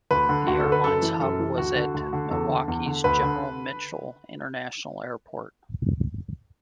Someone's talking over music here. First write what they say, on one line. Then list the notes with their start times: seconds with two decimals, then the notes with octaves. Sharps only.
The airline's hub was at Milwaukee's General Mitchell International Airport.
0.11 D2 B4
0.29 D3
0.47 D2 F#4
0.60 A4
0.66 D3
0.72 B4
0.84 F#2 A4
1.02 E3
1.21 F#2 A4
1.39 E3
1.58 D2 F#4
1.76 D3
1.94 D2
2.13 D3
2.31 E2 A4
2.49 D3
2.68 E2
2.86 D3
3.04 D2 B4
3.23 D3